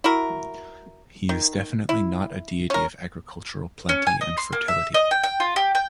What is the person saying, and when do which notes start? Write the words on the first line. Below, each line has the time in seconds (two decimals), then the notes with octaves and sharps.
He is definitely not a deity of agricultural plenty and fertility.
0.04 E4 F#4 A#4
1.29 D#3
1.89 E4
2.70 C#4 A#4
3.89 C#4
4.07 G#5
4.21 D#5
4.38 C6
4.53 A#3
4.68 E5
4.94 D#5
5.11 G5
5.23 G5
5.40 F4
5.56 G4
5.75 G5